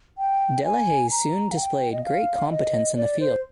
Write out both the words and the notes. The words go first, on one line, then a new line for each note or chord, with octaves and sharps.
Delehaye soon displayed great competence in the field.
G5
G#5
A#5
F5
G5
D#5
F5
D#5
D5
C5